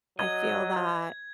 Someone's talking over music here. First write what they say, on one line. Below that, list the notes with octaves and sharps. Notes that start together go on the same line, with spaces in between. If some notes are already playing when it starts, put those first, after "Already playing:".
I feel that.
F#3 D#5 G#6